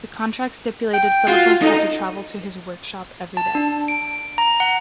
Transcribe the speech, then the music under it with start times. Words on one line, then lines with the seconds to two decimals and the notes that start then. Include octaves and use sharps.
The contract stipulated Filippos had to travel to his workshop every day.
0.93 G5
1.28 F4 F#4
1.63 D#4 A4 D#5
3.37 A5
3.55 D4
3.88 D7
4.38 A#5
4.60 F#5